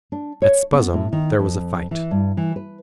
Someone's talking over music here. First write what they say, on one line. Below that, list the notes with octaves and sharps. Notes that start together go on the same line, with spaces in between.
At Spuzzum there was a fight.
D4
C#5
B3
A2
D#3
F2
E3
G2
E3
B4